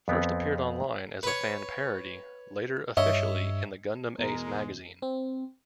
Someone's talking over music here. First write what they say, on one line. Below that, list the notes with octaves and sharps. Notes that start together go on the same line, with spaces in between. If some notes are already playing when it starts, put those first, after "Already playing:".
First appeared online as a fan parody, later officially in the Gundam Ace magazine.
F2 B3 C4
B4 C#5
G2 C#5 D#5 E5
E2 B2 G#3 A#4 A#5
C4